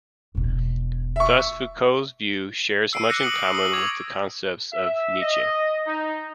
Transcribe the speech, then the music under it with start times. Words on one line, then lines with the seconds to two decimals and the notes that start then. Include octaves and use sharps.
Thus Foucault's view shares much in common with the concepts of Nietzsche.
0.35 E1 B2
1.16 E5 C#6
2.93 E6 C7 D7 D#7
3.09 D6 F#6 A#6 C#7
3.23 D#6 A#6 F#7
3.55 D#6 F#7
3.72 C#6 D6 G#6 F7
4.73 E5
5.21 D#5
5.87 D#4